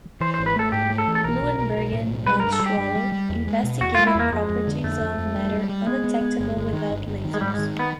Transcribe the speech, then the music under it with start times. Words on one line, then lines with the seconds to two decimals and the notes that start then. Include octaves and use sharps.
Bloembergen and Schawlow investigated properties of matter undetectable without lasers.
0.21 E3 C5
0.34 C5
0.39 G#1
0.46 B4
0.56 A3 A4
0.72 G#2 G4
0.90 A3
0.98 A4
1.07 E3
1.15 A4
1.24 B1 A#4
1.41 B1
1.58 B1
1.76 B1
1.93 A2
2.10 B1
2.26 G3 B4
2.40 A#4
2.44 G2
2.53 A4
2.61 G3 G4
2.78 G2
2.96 G3
3.12 G3
3.29 E2
3.47 G#3
3.63 B2
3.81 E2 F#4
3.95 F4
3.99 G#3
4.07 E4
4.15 E2 A#3
4.32 F2 G#3
4.49 F2
4.67 D3
4.84 F2 A3
5.01 F2
5.18 F2
5.36 G3
5.53 G3
5.69 G3
5.87 G#3 B3
6.04 B3
6.21 B3
6.39 G1
6.55 G1
6.73 D#3
6.90 G1
7.06 G1
7.25 D#3
7.34 G#3
7.41 G#2 G3
7.54 G#3
7.59 D#3
7.79 B3